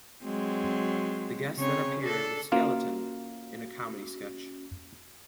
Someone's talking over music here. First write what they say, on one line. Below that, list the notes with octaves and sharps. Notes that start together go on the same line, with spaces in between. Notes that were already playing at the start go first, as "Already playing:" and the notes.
The guest then appeared with Skelton in a comedy sketch.
F#3 G#3 C4
C#3 C4 C#5
D4 A4
A#3 C#4 F4 F#4